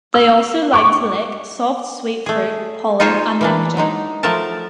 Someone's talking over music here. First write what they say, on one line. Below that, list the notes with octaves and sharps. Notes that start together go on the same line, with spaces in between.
They also like to lick soft, sweet fruit, pollen and nectar.
E6
C#6 D6
A3 G#4
D#4 F4 G#4 C5 C#5
E3 A#3 D4
F#3 G#3 D#4
F3 F#3 A3 A#4 A5